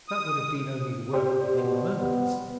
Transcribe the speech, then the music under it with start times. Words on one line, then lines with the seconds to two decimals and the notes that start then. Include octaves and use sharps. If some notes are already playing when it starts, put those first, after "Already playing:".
That would have been only the work of a few moments.
0.08 D#6
1.13 G4 C5 D5
1.55 B2
1.99 B3